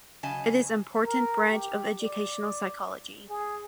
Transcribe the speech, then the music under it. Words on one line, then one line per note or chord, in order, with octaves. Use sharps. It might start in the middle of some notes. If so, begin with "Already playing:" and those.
It is important branch of educational psychology.
C#3 F#3 D#5 G#5 A5
A#4
G4
D5
G#4